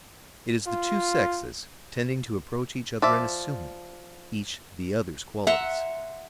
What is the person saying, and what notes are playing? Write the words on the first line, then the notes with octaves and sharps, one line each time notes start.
It is the two sexes tending to approach each other and assuming, each the other's qualities.
F4
F3 D5 E5
E5 F#5 A#5 C6